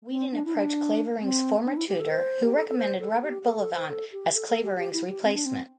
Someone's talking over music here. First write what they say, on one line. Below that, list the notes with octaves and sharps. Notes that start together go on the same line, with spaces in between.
Weedon approached Clavering's former tutor who recommended Robert Bullivant as Clavering's replacement.
C4
D4
E4
D4
C4
D4
E4
G4
A4
C5
G4
A4
A4
C5
A4
G4
A4
A4
C5
A4
G4
A4
A4
G4
G4
E4
G4
C4
D4
C4